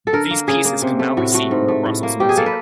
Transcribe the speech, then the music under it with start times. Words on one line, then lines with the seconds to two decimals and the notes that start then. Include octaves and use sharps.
These pieces can now be seen in the Brussels museum.
0.07 A4
0.13 D3 A#4
0.31 A#3
0.48 C#3 G#4
0.65 A#3
0.82 C3
0.99 A3
1.17 A2 F#4
1.34 A3 F#4
1.51 G#2
1.68 A3
1.86 A2
2.03 A#3
2.20 B2 G4
2.29 G#4
2.37 A#3 A4
2.46 B4